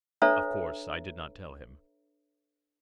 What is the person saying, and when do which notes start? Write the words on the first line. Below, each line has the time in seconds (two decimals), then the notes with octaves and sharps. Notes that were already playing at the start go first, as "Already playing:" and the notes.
Of course I did not tell him.
0.22 D4 A4 B4 C#5 E5 A#5